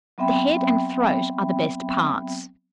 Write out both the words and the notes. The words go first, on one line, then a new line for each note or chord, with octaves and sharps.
The head and throat are the best parts.
F#3 B3 C4 E5 G5 B5